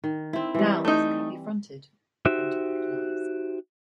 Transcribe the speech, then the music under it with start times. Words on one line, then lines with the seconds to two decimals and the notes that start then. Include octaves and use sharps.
Nouns can be fronted when topicalized.
0.04 D#3
0.33 C4 E4
0.55 E3 G3
0.85 A3 D#4
2.25 D#4 F#4 G4 C5 E5